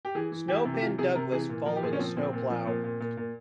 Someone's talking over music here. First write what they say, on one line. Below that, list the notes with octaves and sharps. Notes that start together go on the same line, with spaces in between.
Snow pinned Douglas following a "Snow Plow".
G4
E3 G#4
E3
E3 G4
C3
G4
E3 F4
C3 G#4
C3 A#4
E3 G#4
A#2
F3 A#4
G4
A#2 G#4
C#4
F3 C4
A#2 C4
A#2
F3
A#2
A#2
A#2
A#2